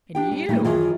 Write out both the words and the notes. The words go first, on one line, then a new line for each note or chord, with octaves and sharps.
And you!
D4 G4 G5
G3
F2 A#2 E3 G3 A3 D#4
F#2 D#3 E3 F4 G#4 D#5